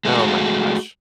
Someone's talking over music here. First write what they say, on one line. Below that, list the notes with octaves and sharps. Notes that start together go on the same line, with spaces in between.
Oh my gosh.
G#3 A3 E4 F#4